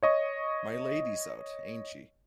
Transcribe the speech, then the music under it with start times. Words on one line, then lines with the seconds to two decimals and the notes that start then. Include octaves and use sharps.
My Lady's out, ain't she?
0.03 C#5 D#5 C#6